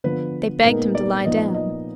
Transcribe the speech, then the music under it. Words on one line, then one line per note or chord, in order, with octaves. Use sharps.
They begged him to lie down.
D3 F3 B3 B4
A#2 G#3 B3 D#4 A#4
D5
A#2 F3 B3 D#4 D#5
D#5